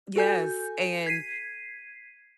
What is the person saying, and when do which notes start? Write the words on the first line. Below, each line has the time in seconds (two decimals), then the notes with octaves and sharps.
Yes, and
0.16 F#4 A4 G#5 G6
1.06 G#6 B6 C7 D#7